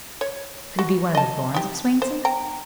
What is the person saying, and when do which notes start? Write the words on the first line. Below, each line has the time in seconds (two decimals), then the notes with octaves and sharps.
"Could it be one of the Thorns of Swainson?"
0.21 C#5
0.79 F#4
1.15 D#5 A5
1.54 D#4 G4
2.02 C5
2.25 G5 A#5